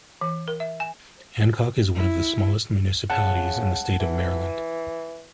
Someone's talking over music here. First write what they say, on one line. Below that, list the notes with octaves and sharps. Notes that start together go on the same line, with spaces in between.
Hancock is one of the smallest municipalities in the state of Maryland.
E3
A#4
E5
G#5
E4
C#3 F#5 A5
E3